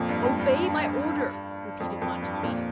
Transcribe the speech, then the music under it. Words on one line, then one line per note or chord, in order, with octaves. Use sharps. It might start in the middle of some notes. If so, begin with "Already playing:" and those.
'Obey my order,' repeated Montoni.
Already playing: F2 A#2
G2
F2
G2
F2
F2
G2
F2 A#2